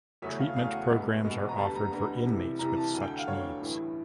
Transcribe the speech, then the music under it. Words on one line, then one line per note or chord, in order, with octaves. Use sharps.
Treatment programs are offered for inmates with such needs.
E2 C#3 F#3 A3 C#4 E5
F5
E2 C#3 F#3 A3 C#4 F5
F#5
B1 B2 G#3 B3
B1 B2 G#3 B3
A#5
D2 D3 G3 B3 A5
A#5
D2 D3 G3 B3 A#5
C2 C3 E3
C2 C3 E3 A#5
A5
D2 D3 F#3 G#5
G5
F#5
F5
D2 D3 F#3 C#5
A1 G2 E3